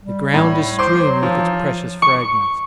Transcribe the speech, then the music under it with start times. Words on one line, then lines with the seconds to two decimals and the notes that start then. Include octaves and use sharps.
The ground is strewn with its precious fragments.
0.02 G3
0.34 A2
0.79 C5 C6 D6
1.03 F#3
1.23 F3
2.02 C#6